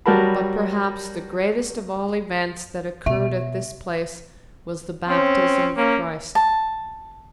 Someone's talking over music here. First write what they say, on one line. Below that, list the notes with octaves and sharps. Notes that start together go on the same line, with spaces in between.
But perhaps the greatest of all events that occurred at this place was the baptism of Christ.
F#3 G3 F#4 A#4 A5 B5
B2 E5
C4 C#4
A#3 C#4
A5